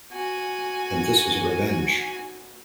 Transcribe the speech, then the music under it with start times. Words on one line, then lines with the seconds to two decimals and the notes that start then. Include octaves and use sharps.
And this was revenge.
0.12 F#4 G#5